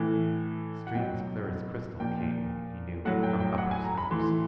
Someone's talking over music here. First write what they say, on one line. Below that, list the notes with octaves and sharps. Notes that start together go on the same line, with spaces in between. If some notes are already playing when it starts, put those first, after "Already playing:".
Streams clear as crystal came, he knew, from upper snows.
Already playing: A2 E3
F#5
B2 F#3 G5
A#2 F3 G5
A2 F#3 F#5
G5
G5
F#5
G#5
A#5
B5
A2 E3 C6